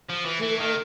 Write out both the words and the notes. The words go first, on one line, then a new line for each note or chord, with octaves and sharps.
do it.
F3
E3
E3
D#3